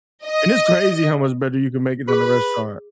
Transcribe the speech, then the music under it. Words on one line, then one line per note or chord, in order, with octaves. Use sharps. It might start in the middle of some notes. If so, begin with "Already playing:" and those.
and it's crazy how much better you can make it than a restaurant
D#5
G#4 B4 D6